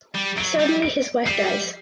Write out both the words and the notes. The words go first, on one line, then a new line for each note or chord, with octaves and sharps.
Suddenly his wife dies.
G3
F#3 D7
G3
D7
G3 C7